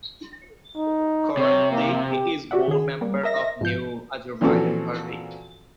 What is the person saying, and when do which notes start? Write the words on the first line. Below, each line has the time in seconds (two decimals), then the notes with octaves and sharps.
Currently he is board member of New Azerbaijan Party.
0.77 D#4
1.37 C3 C#5
1.71 A#3
2.11 G4
2.51 F#4 G4 D5 E5 F#5
2.68 D#3 G#4
3.01 G3 A#3
3.23 A#4 D#5 E5 A#6
3.61 G#2 F3 G6
4.41 A#2 E3 F3 C4 F#4 A4